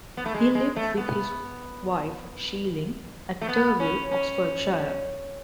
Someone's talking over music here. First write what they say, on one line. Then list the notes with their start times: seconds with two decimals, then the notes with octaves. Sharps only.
He lived with his wife Sheelin at Turville, Oxfordshire.
0.17 B3
0.25 A3
0.34 G#3
0.55 G#3
0.76 A3
0.97 B3
3.41 A3
3.48 B3
3.80 C#4
4.11 C#4